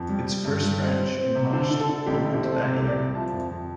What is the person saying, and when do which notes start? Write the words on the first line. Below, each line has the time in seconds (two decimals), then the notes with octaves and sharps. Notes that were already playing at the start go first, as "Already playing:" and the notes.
Its first branch, in Rasht, opened that year.
Already playing: F2
0.09 G3
0.27 G3
0.45 G2
0.63 G3
0.81 C4
0.99 C4
1.17 C4
1.35 C3
1.53 D3 C5
1.71 D3
1.80 A4
1.89 D3
2.06 A1 G4
2.25 A2
2.34 G4
2.43 C4
2.52 A4
2.61 C3 C5
2.79 C2
2.88 D5
2.97 C2
3.15 F3 A5
3.33 F2
3.51 F2